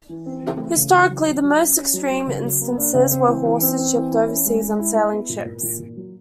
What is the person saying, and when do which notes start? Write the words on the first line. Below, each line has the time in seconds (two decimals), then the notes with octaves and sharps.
Historically, the most extreme instances were of horses shipped overseas on sailing ships.
0.09 E3
0.26 C4
0.43 E3
0.60 A3
0.76 C#3
0.93 E3
1.09 F#3
1.26 C#4
1.43 F#3
1.60 C#4
1.77 C#4
1.94 F#3
2.10 F#3
2.27 C#3
2.44 F#3
2.61 A#3
2.78 D4
2.94 C#3
3.11 C4
3.28 E3
3.45 E3
3.62 C4
3.78 C4
3.96 E3
4.12 E4
4.28 C#4
4.45 G#3
4.62 G#3
4.79 E4
4.96 E4
5.13 B3
5.29 A#2
5.46 A#2
5.63 A#2
5.80 A#2
5.97 F#3